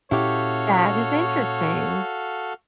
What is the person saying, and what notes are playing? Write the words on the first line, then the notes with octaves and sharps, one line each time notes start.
That is interesting.
A#2 C#4 E4 F#4 G4 A4 C#5 F5